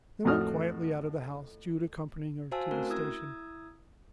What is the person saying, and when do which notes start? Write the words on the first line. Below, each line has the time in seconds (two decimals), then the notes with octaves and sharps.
They went quietly out of the house, Jude accompanying her to the station.
0.25 F2 A2 F#4 D#6 F6
2.51 F#4 C5 F5 G#5 A5 E6
2.71 A3 C4 C#4 F#4 A#4
2.90 E4 D#6 E6 G#6